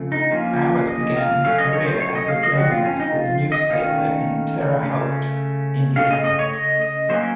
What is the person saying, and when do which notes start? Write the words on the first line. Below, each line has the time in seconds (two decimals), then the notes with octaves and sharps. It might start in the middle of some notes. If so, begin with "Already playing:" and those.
Bowers began his career as a journalist with a newspaper in Terre Haute, Indiana.
Already playing: C#3 F3 A3 C4
0.12 D#4
0.31 F3 A#3 C#4 F4
0.88 D#5
1.17 F5
1.44 F#3 A3 C#4 F5
1.58 D#5
1.73 C#5
1.86 C5
2.00 C#5
2.15 D#5
2.28 F5
2.43 D#5
2.57 F3 C4 F#4
2.71 F4
2.85 C#4
3.00 D#4
3.14 F4
3.52 D#5
3.70 D#3 A3 C#4 F5
4.83 C#3 A3 C#4
5.96 C#3 A3 C#4 F5
6.11 D#5
6.24 D#5
6.39 C#5
6.53 D#5
6.82 D#5
7.09 F#3 A#3 C#4 C5